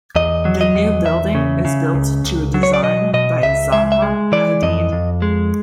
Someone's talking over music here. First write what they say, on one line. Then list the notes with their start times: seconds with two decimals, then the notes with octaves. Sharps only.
The new building is built to a design by Zaha Hadid.
0.16 E2 D#5
0.45 F#3
0.61 D#5
0.75 E2
1.05 E2 E5
1.35 C#3
1.65 C#3
1.94 C#2
2.24 C#2
2.54 F#3
2.63 C#5
2.74 D5
2.83 B2 D#5
3.13 B2 D#5
3.43 C#2 E5
3.72 G#3 E5
3.92 E5
4.02 G#3
4.32 E3 D5
4.63 F2 D#5
4.92 F2
5.22 G#3